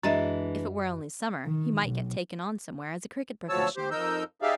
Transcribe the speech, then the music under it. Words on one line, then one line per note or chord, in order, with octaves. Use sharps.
If it were only summer, he might get taken on somewhere as a cricket professional.
F#2 E3 G#3 D4 D#5 E5
D#3
B1
D2 F3 F#3 C#5 A5 E6
G4 C5
F2 D#4 A#4 E6 G6
D#4 G4 G#4 D5 E5 F5